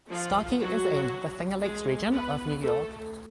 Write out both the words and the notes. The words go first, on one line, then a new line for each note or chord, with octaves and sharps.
Starkey is in the Finger Lakes Region of New York.
F3 F4
F#3 F#4
G#3 G#4
B3 B4
A3 A4